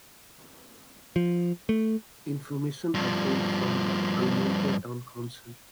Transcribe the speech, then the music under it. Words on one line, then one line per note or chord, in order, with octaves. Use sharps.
Information obtained from the Almonte Town Council.
F3
A3
G2 F3